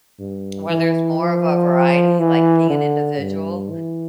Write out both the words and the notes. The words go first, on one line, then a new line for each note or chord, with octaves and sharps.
where there's more of a variety, like, being individual
G2
E3
F3
E3
D3
G2
E3